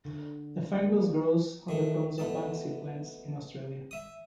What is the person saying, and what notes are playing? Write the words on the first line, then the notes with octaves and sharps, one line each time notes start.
The fungus grows on the cones of "Banksia" plants in Australia.
D3
A#3
D#3 A3
B2 A3 A5
E5 D#6